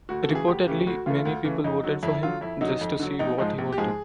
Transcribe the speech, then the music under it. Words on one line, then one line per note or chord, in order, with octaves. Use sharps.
Reportedly many people voted for him just to see what he would do.
D2 F#4
A4
C#3 E3 A3
G#4
D2 G4
C#3 E3 A3 G4
D2 F#4
C#3 E3 A3 F4
D2
C#3 E3 A3
F2 D#4
D3 F#3
F2 E4
D3 F#3 F4
F2 E4
D3 F#3 D#4
F2
D3 F#3
A#1 D#4
G#2 F3 G#3 D#4
A#1
G4
G#2 F3 G#3 G#4